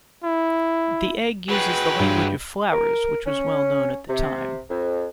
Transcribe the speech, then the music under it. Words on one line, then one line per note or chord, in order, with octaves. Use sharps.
The egg uses the language of flowers which was well known at the time.
E4
F#3 G#3 B4 G5
G2
A#4
C#4
C3
F2